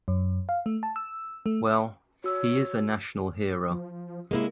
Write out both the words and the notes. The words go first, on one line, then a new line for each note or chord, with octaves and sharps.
Well, he is a national hero.
F#2
F5
A3
A5
E6
A3
F#4 C#5 E6
F3
C3 G#3 A#3 E4